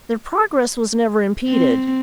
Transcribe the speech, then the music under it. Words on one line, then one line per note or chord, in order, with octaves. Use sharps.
Their progress was never impeded.
C4